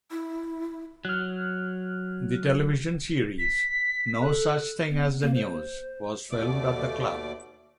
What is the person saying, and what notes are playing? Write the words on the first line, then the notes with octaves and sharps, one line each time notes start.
The television series "No Such Thing as the News" was filmed at the club.
E4
F#3 F6 F#6
B6
A4 F#6
B3
A#3
C5
D#2 B2 A3 D5 D6